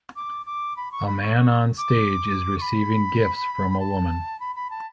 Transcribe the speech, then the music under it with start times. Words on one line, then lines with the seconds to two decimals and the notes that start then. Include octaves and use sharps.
A man on stage is receiving gifts from a woman.
0.16 D6
0.46 D6
0.76 B5
0.92 C#6
1.06 B5
1.22 C#6
1.37 D6
1.41 C#6
1.78 D6
2.58 C#6
2.62 B5
3.80 A5
4.40 B5
4.55 B5
4.70 A5